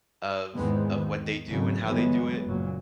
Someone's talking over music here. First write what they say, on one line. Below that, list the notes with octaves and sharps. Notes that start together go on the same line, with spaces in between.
of of what they do and how they do it,
E2 G#2 D#3 G#3 B3 C4
D#3
G#1 C#3 F#3
G1 E3 F#3 G#3 B3
F#1 A#2 F#3